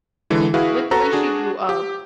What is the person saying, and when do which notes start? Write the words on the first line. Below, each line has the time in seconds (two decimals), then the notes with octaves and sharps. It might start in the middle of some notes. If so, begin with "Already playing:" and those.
with the way she grew up,
0.30 D3 E3 G#3
0.54 E4 F#4 G#4 B4 F5
0.91 F#4 A4 B4 A#5
1.13 D4 F#4 G#4
1.69 G4